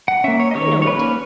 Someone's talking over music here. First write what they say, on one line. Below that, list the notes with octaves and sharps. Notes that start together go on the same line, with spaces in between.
"I know it."
F#5
A#3 C#4 E5
C#5
D#5
D#3 C#5
C#5
A#3 C#4 B4